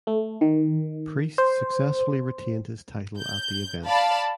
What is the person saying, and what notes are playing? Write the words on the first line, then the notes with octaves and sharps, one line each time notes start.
Priest successfully retained his title at the event.
A3
D#3
C5
G6
D5 F5 A5 B5